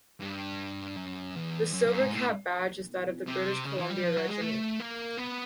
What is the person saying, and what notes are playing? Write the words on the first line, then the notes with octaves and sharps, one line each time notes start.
The silver cap badge is that of the British Columbia Regiment.
G2
F#2
E2
F#2
F#2
G#2
A2
C3
C#3
E3
G3
F3
F#3
G#3
A3
A#3
B3